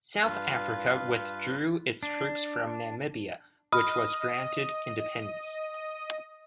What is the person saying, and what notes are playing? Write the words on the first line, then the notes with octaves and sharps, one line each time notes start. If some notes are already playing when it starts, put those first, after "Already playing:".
South Africa withdrew its troops from Namibia, which was granted independence.
G2 F4 B4 F5
D4
D#5 B5 D#6 F6